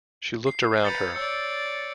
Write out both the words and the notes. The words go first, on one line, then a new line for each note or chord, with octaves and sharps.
She looked around her.
C7
B4 A#5 G6 A6 C#7
C#5 D5 E6 C#7